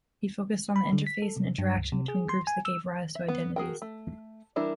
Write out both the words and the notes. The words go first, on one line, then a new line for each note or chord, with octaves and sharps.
He focused on the interface and interaction between groups that gave rise to identities.
B5
D3
B6
A4
C3
G2
C#2
C3
G#4
C6
G#5
E6
E5
B3
F#4 G#4 A#4 G5
A3
E3 G3 D4 E4 A#4